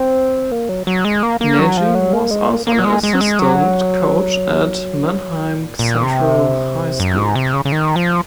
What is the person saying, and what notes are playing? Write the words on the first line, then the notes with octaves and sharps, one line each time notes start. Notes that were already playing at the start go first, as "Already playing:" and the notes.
Nagy was also an assistant coach at Manheim Central High School.
Already playing: C4
A#3
F#3
F#3
G#3
A#3
A#3
F#3
F3
F#3
A#3
G#3
A#3
A#3
F#3
G#3
G#3
F#3
G#3
F#3
A#2
A#2
C3
F#2
G#2
C3
C#3
C#3
D#3
F3